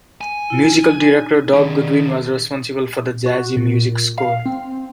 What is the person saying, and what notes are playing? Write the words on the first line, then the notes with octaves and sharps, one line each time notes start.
Musical director Doug Goodwin was responsible for the jazzy music score.
G#5
E4 F4
D#4
D#3 C#4 G#4 D5
F#4
A#2
F5
C4